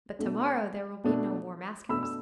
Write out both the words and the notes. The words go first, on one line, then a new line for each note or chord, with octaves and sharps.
But to-morrow, there will be no more maskers.
B2 A3 D4
B2 A3 D4
B2 A3 D4 B5 E6
E6